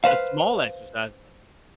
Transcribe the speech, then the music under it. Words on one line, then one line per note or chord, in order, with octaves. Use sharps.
the small exercise
B4 C5 F5